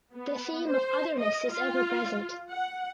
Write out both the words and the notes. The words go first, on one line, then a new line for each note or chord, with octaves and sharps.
The theme of "otherness" is ever present.
B3
C5
D#5
F4
F#5